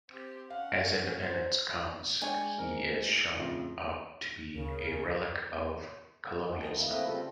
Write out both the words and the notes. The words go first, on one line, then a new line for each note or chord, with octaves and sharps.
As independence comes he is shown up to be a relic of colonialism.
C4 G4
C#4 F5 F#5
C5
G#3 D4 C#5 G5 G#5
G#2 A#4
F2 A2 C#3 F4
D2 C#3 A#4
D#3 G#3 B3 C#4 E4
D#5 G5 A5
E2 G2 D#3 A#3 E4
A3 A#3 C4 E4 B4 D#5
C#3 G3 C4 F4 G4 A4